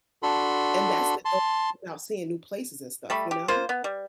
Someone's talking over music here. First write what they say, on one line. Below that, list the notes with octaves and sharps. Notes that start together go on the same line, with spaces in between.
And that's the dope about seeing new places and stuff, you know?
D4 F#4 A4 B5 C6
A5 C6
G3 A3 B5
G4
A#3 F4 C5
B3
G3